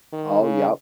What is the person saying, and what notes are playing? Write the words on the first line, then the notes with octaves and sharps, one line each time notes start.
Oh, yep.
D#3
C#3